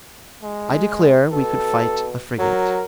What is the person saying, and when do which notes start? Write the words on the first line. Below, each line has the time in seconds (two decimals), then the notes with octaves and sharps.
I declare we could fight a frigate.
0.43 G#3
1.31 B2 A4
2.39 F#3 A#4